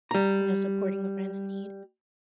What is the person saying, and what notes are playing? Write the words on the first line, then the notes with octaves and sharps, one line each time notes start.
you know, supporting a friend in need?
G3 A#5